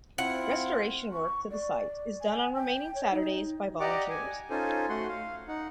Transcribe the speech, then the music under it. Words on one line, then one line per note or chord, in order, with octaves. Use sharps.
Restoration work to the site is done on remaining Saturdays by volunteers.
C4 E4 F4 F#5
C#6
D5
G#5
G5
C#5
D#4
G4 D5 D#5 F#5 A#5 D6
G#5
C#4 D#4 F4 A4 C5 G#5
A3 F#4 F#5 C6
F5
D#4 F#5